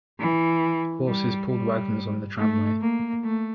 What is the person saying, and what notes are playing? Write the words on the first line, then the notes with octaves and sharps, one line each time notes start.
Horses pulled wagons on the tramway.
E3
G3
G3
A3
A#3
A3